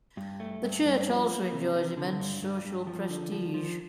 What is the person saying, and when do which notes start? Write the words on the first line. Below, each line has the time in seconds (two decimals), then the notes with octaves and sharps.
The Church also enjoys immense social prestige.
0.17 G2
0.40 A3
0.63 G2
0.85 G2
1.08 F3
1.31 A#3
1.52 C3
1.75 C3
1.97 D3
2.20 G2
2.43 G2
2.65 G2
2.87 F3
3.10 D3
3.32 F3
3.54 F3